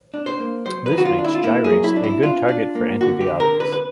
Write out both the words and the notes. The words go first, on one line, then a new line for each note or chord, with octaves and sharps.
This makes gyrase a good target for antibiotics.
D4
C5
A#3
F#3 C5
B4
D#3
F#4
F4
D4
E4
F4
A#3 E4
G#4
F#3
E4
D4
E4
D4 F4
D4
A#3
D3 F#4
G4
D3
A#4
D3
B4
B4